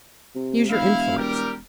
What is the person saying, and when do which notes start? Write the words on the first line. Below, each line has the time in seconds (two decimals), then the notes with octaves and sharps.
Use your influence.
0.35 C3
0.70 E1 E4 F5
1.17 G3 G4 A#4